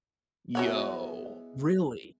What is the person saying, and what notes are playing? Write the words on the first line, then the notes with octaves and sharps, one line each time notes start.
Yo. Really?
G#3 B3 E4 F#4 C#5 F#5